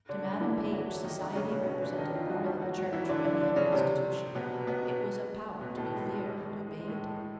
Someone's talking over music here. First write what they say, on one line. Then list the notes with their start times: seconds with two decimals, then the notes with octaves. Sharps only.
To Madam Page society represented more than the church or any other institution. It was a power to be feared and obeyed.
0.09 D3 D4
0.25 D3 D4
0.40 E3 E4
0.56 E3 E4
0.72 F#3 F#4
1.04 D#3 D#4
1.20 D3 D4
1.35 C#3 C#4
1.51 B2 B3
1.66 C#3 C#4
1.82 D3 D4
1.98 D#3 D#4
2.15 F3 F4
2.30 F#3 F#4
2.46 G3 G4
2.61 F#3 F#4
2.78 F#3 F#4
2.93 E3 E4
3.09 D3 D4
3.25 D3 D4
3.41 D3 D4
3.56 C#3 C#4
3.72 C3 C4
4.35 B2 B3
4.67 B2 B3
5.61 B2 B3
5.77 A2 A3
5.94 G#3
6.09 G#3
6.24 G3
6.45 G#3
6.67 G#3
6.81 G#3
6.87 A2 A3